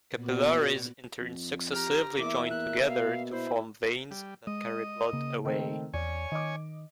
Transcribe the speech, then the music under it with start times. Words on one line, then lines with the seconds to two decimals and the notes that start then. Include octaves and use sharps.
Capillaries in turn successively join together to form veins that carry blood away.
0.14 A#2 B3 F#4 D5
1.22 F2
1.72 G4 A#5 F6
2.18 E2 A#3 E5 D6
2.50 F#6
2.88 B2 F5
3.31 E4 C5
4.11 G3
4.47 G#3 D#5
5.13 C#3 A#3
5.45 D#3 A3 C4
5.94 E2 C#5 D5 G#5
6.32 D#3 D#5 D6